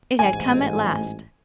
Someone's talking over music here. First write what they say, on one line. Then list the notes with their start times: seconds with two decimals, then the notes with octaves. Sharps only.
It had come at last.
0.19 A1 G#2 G#5